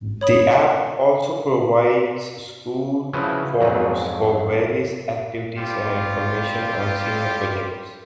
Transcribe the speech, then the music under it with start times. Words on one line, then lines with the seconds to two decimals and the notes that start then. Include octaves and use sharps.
The app also provides school forms for various activities and information on senior projects.
0.21 C#5 B5 D#6
3.13 C#3 F3 E4 F#4 B4
3.61 F2 G#2 F#3 C4
5.57 G3 C4 F4 G4